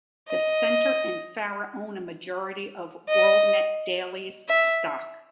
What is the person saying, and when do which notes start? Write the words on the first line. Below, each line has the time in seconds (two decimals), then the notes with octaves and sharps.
The Center and Farah own a majority of WorldNetDaily's stock.
0.28 D#5
3.08 D#5
4.49 E5